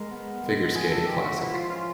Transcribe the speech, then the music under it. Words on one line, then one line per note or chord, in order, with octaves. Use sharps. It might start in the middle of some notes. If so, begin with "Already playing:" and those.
Figure Skating Classic.
Already playing: G#3 A#4
B3
G#3
E4 G#4
A4
G#3 G4
F#4
F3 E4
F4
C#4 F4